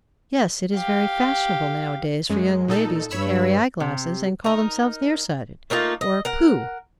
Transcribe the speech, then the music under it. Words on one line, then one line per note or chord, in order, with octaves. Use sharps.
Yes, it is very fashionable now-a-days for young ladies to carry eye-glasses, and call themselves near-sighted!" Or, "Pooh!
G4 F5
F#2 G#3
A#2 D#4 A4
G2 C#5 B5 E6
C3
D#4 A#4
A3 A#3 D#4 F4
D#5
A#4 F#5